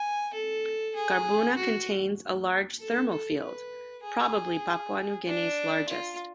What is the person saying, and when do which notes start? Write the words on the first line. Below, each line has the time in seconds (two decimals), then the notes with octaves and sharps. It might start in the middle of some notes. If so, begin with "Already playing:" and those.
Garbuna contains a large thermal field, probably Papua New Guinea's largest.
Already playing: G#5
0.33 A4
0.95 G#4
1.56 F#4
2.80 A4
3.11 A4
3.42 B4
4.03 G#4
5.27 D4
5.88 F4